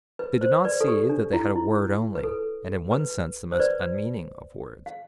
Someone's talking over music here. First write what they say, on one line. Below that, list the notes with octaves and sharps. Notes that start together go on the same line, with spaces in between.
They did not see that they had a word only, and in one sense the most unmeaning of words.
B4
C5
B4 D5
A4
G4
D4
E4
E4
B4
A4
B4
C5
B4 D5
F5